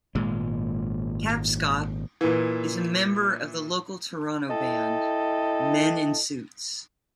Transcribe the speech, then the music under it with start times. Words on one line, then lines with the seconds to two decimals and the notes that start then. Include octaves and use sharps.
Tapscott is a member of the local Toronto band, Men in Suits.
0.15 G#1 A#2 G#3
2.21 A#2 E3
4.50 E4 A4 D#5 G5